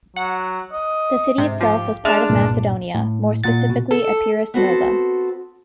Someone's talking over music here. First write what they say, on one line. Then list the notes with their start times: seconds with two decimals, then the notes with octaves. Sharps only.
The city itself was part of Macedonia, more specifically Epirus Nova.
0.16 F#3 F#5
0.72 D#5
1.38 G#2 C3
1.61 F3 G4
2.05 G#3 D4 E5 A5 F6
2.30 C2 G2 A#2
2.95 A2
3.44 A#2 F#5 A6
3.70 B2
3.91 A4
4.54 B3 C4 F#4 A4